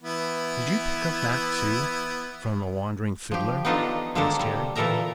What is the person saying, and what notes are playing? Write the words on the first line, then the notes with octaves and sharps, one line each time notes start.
"Did you pick up that, too, from a wandering fiddler?" asked Harry.
E3 B3 E4
F3 G4
B3 D4 D#4 F4 A4 D#5
D3 G#3 A#3 G4 A4 C5
G3
A#2 E3 A4 A#4 E5 A#5